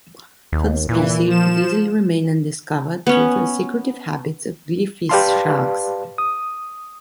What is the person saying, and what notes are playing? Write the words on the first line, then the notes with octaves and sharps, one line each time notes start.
Further species could easily remain undiscovered, due to the secretive habits of "Glyphis" sharks.
D#2
A#2 E3
F3 E7
B3 C#4
G4 B4 D5 F5 A5 C6
D#6